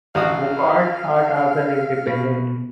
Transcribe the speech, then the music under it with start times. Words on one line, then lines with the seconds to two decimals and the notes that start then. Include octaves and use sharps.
Bouchard sat as an independent.
0.15 A1 F#4 F5 D#6
2.07 B2